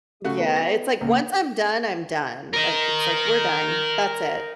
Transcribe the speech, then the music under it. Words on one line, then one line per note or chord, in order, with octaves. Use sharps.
Yeah, it's like once I'm done, I'm done, like, it's like, "We're done, that's it.
C#3 A3 F#4
B3 D#4
A#6
C#2 A#3
A#4 D#5